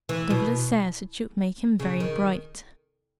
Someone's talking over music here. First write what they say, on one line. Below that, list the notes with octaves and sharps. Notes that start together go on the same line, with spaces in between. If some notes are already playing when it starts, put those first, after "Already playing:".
Douglas says it should make him very bright.
E3
B2
C#3
D#3